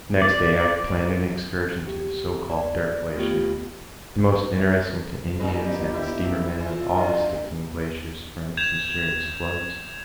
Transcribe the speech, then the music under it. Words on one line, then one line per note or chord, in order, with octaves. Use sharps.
Next day I planned an excursion to the so-called Dirt Glacier, the most interesting to Indians and steamer men of all the Stickeen glaciers from its mysterious floods.
D5
G4
D5
A3 B3 F4 G4
G1 A#2 A#3 D#4 G4 B4
E4
E3 F4
G2
G6 G#6 E7 F7